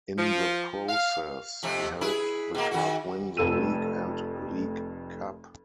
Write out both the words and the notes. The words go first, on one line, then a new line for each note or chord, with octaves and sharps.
In the process he helped the club win the League and League Cup.
F3
F5
F2 C3 A3
E4 G#4 B4
B2 A#3
D#3 F#4
F1 F2 A3 E6 D#7